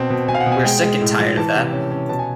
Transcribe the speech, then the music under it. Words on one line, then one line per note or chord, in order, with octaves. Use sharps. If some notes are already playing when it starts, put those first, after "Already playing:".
We're sick and tired of that.
Already playing: B2 C4 A5
B2
B2 G#5
F5
F#5
B2
G#5
G#3 G5
G#3
A2
F3
E3 A5
C3
C#4
C#4
B2 A5
G#5